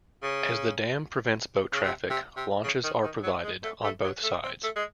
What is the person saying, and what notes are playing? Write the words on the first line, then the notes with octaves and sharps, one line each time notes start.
As the dam prevents boat traffic, launches are provided on both sides.
C#3
C#3
C3
C3
C3
C#3
D#3
D#3
F#3
G#3
A3
A3
F#3
A3
C4
A3
G#3